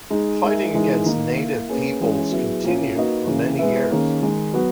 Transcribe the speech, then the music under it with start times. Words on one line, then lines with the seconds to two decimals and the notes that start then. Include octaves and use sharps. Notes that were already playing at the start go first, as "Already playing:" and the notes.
Fighting against native peoples continued for many years.
0.10 G#3 D#4 G#4
0.42 G#3 D#4 A#4 E5
0.74 E3 G#3 D#4 A#4
1.06 D#3 A#3 D#4
1.37 A#3 E4 A#4
1.69 A#3 C#4 G#4 B4
2.00 E3 G#3 C#4 G#4
2.32 F#3 B3 E4 G#4
2.64 A#2 A#3 C#4 E4
2.95 A#3 D#4 F#4 B4 D#5
3.27 C#3 E3 A#3 C#4
3.59 G#3 B3 E4 B4 E5
3.90 D#3 A#3 C#4 G#4
4.22 D#3 G#3 D#4
4.54 F#3 B3 F#4